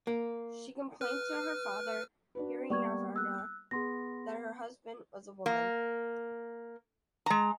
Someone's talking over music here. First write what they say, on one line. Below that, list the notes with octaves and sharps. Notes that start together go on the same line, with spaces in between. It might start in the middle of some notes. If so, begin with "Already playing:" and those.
She complained to her father, Hiranyavarna, that her husband was a woman.
A#3
B4 F6
D4 F#4 B4
G3 A#3 B3 D5 C#6 G#6
E6 F#6
B3 G#4 C6 A#6
A#3
G#3 A#5